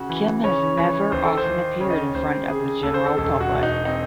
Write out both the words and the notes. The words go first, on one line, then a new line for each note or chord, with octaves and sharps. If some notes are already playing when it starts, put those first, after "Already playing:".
Kim has never often appeared in front of the general public.
Already playing: C#3 F#4
E3
C#3 C#5
E3 C#5
D#2 C5
A4
C5
D#2
C#3 C#5
D#5
C#5
D#2 C5
C#3 G#4
D#2 A4
C5
A4
E1 A4
F#4
E1
D#4
C4 D#4